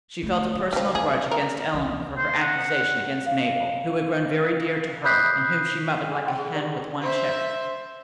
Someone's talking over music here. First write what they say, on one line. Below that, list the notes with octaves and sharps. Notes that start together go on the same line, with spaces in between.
She felt a personal grudge against Eleanor for her accusation against Mabel, who had grown very dear to her and whom she mothered like a hen with one chicken.
D3 A3
D3
C#3 F3 G3
A#3 G#4
A#4
C#2 E3
C5
F#5
F5
B5 D#6 F#6 G6 B6 C7
D4 G#4 E6
F#5 G5 B5 C6
G#4
G4 A#4 D5
C5 E5